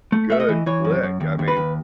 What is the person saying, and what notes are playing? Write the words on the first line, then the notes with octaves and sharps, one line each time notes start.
good flick, I mean,
A3
A3 E5
D#5
E3
E3 C#5
F#2
F#2
D#2
D#2
B4
D#2